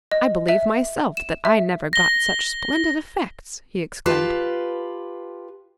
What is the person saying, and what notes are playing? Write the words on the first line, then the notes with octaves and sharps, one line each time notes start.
"I believe myself that I never got such splendid effects!" he exclaimed.
D#5
E5
E7
E5
A#6 G7
F4 G4 B4 A5